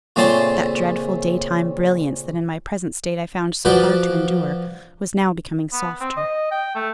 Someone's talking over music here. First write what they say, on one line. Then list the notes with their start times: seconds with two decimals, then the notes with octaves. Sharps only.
That dreadful daytime brilliance that in my present state I found so hard to endure was now becoming softer.
0.16 A#2 C#3 A3 C4 A5 C6
3.65 F3 F4 F#4 B4 C5 D5
5.72 B3
6.01 C4
6.17 D#5
6.51 G5
6.75 A3